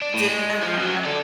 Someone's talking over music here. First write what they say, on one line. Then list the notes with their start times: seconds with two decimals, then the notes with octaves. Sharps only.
Just and I
0.02 D4
0.14 A2
0.28 G#3
0.63 F3
0.77 F#2 F#3
1.05 A4 D5